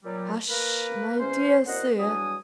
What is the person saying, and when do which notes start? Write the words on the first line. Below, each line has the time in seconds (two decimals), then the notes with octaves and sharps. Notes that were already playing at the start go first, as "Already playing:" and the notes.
'Hush, my dear sir!
0.03 A#2 F#3 G3
0.50 A#3 A#4 B4
1.19 E2 C#4 C5
1.67 D#2 A#2 C5 D#5 F#5
1.99 E2 F#3 G3 D4 G#5 D#6